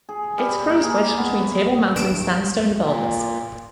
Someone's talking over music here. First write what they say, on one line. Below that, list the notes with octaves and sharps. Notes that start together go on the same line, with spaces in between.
It grows wedged between Table Mountain Sandstone boulders.
G#4
G3
A#3
G#4
B3
G2 D7 E7
A#2